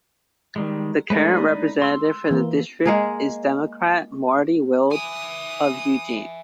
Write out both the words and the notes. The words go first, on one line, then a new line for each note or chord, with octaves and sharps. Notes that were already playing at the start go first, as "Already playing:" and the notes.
The current representative for the district is Democrat Marty Wilde of Eugene.
D#3 G3 G#3
G#3 A3 D4 D#4 B4
C6 E6
E3 A#3
G#3 A#3 G#4
E5 G#5 D#6